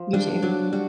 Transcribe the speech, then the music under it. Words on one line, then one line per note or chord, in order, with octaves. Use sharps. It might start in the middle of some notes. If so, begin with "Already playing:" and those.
You too.
Already playing: F3
G3 D4
F#3 D4
G3 F#4